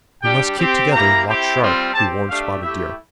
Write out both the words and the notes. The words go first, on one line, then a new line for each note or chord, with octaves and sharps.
"We must keep together, and watch sharp," he warned Spotted Deer.
G3 D4 G4 G5
C4 G4
A#3 E4 G4 A#5
C4 E4 G4
G3 C4 F4
C4 G4 A5
A3 D4 G4 F5
A3 E4 G4 E5